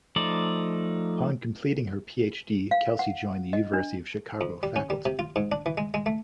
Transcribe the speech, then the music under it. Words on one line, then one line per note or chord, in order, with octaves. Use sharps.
Upon completing her Ph.D., Kelsey joined the University of Chicago faculty.
F3 A3 D#4 D5
F5
F#5
D#5
D4
F2
G3
C#4
G3
C3
F4
G#2
D4
E3
G#3
G#3
A3